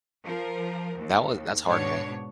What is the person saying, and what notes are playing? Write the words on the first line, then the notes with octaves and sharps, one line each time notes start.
that was that's hard, man.
F3 A#4
D#2
G#2 B2 D4 C#5